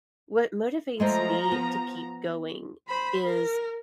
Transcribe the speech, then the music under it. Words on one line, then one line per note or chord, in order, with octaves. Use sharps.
what motivates me to keep going is
F3 G#3 A3 C5 A#5
B3
C5 B5
A#4